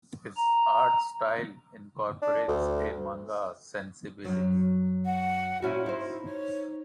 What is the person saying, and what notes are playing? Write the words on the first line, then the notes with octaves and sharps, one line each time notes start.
His art style incorporates a manga sensibility.
A#5
D4
D2
F#2 F#3
F#5
A#2 C#4 E4 F#4
D#4 C5
C#5